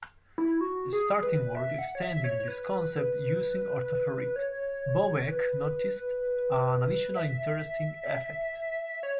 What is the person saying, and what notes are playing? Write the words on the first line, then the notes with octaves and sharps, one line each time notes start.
Starting work extending this concept using orthoferrite, Bobeck noticed an additional interesting effect.
E4
F#4
G#4
B4
E5
F#5
C#5
E5
C#5
C#5
B4
C#5
B4
E5
C#5